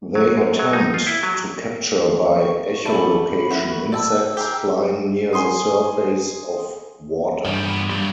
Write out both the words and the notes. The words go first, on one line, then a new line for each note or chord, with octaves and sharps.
They attempt to capture by echolocation insects flying near the surface of water.
F#3
F#2
F#3
D#4
F4
E4
F#3
C#6
A3 D4 B5
E4 F#4 B4
D5 G#5 A5 E6
G4 G#4 A#4
G#5 C6 D#6
G2 D#3 E3 G3
A#2 B3
G2 F#3 G3